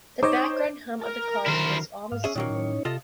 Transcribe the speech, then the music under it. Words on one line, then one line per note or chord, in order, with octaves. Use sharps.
The background hum of the cars was almost soothing.
D#4 C5 C#5 D#5 D6
A#4 A5 A#5
D3 D#3 F#3 E4 C5
G#2 F5
C#4 G#4 E5
A#2 D#3 F#3 A#3 C#4 D#4 C#5
A2
C3 F4 A4 D#5